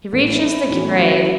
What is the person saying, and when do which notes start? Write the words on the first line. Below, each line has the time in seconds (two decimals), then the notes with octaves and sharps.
He reaches the grave.
0.12 A1 A2 E3 A3 C#4
0.27 E4
0.41 E4
0.69 A2 E3 B3 C#4 F#4
0.84 A3
0.98 F#3
1.12 E3